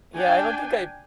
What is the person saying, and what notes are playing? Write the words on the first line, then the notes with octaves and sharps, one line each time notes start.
yeah, I don't think I
D4 G5 G#5